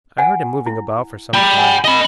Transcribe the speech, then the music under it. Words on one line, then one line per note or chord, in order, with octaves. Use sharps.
I heard him moving about for some time.
F#5 G#5
E4
G5 A#5 B5
F#5 G#5
D#5 B5